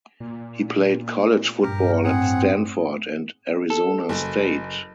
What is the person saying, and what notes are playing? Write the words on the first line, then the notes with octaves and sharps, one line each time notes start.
He played college football at Stanford and Arizona State.
A#2
G2 G4 A#4
A2 C4 G#4 F#5
A4
F#1